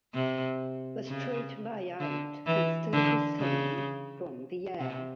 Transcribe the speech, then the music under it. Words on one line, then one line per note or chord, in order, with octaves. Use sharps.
The street layout can still be seen from the air.
C3
C#3
D3
E3
D3
C#3
C3